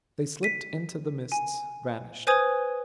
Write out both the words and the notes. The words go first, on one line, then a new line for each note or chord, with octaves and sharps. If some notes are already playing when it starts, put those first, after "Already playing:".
They slipped into the mists; vanished.
B6 D#7
G#5
B4 C5 G#5 D#6 G#6